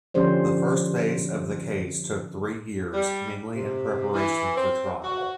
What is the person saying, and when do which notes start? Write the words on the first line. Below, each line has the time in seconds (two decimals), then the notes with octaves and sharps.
The first phase of the case took three years, mainly in preparation for trial.
0.14 D3 F3 C#4 G4 C5 D5
2.94 G3
3.54 C3
4.14 E3
4.55 C4
5.04 F#4